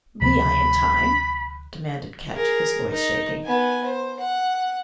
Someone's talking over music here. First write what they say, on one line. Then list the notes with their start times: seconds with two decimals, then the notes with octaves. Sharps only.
"Be I in time?" demanded Ketch, his voice shaking.
0.21 D2 C3 F3 B5
2.33 G#4 A#4
2.91 D#4
3.44 B3 G#5
3.85 C5
4.20 F#5